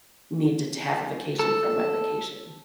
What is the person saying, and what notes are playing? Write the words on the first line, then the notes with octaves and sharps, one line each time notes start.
need to to have a vacation from my vacation.
A4